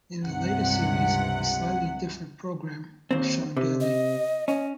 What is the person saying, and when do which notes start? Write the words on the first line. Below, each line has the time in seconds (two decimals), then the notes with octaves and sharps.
In the later series, a slightly different programme was shown daily.
0.23 C#2 G2 C3 F#5
3.11 D#2 C4
3.57 C3
3.81 D#5
4.48 C#4 D#5